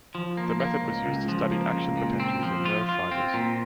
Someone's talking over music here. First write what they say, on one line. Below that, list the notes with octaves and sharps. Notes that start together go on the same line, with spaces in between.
The method was used to study action potentials in nerve fibers.
F3
A#3
A#3
C#2
C#2
F3
A#3
C#2
A#2
C4
F3
F4
F4
C4
A#2